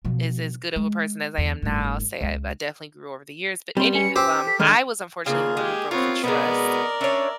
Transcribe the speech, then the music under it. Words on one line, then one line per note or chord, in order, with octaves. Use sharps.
as as good of a person as I am now, say I I've definitely grew over the years. But any who, um, I was unfortunately the one who broke the trust,
B2 F3
G#3
E2
F#1 G#2
C#2 G#3
G3 C4 C6
C#4 B4 G#5 C#7
G4 C5 E6
A4 B6
D3 D#3 G#3 F6
C#3 A#3 D4 F4 G#4
G#3 G4
B3 C4 F4 A#4 C#5
B2 G#3 B3 A#4 D5 D#5
C#4 D4 C#5 E5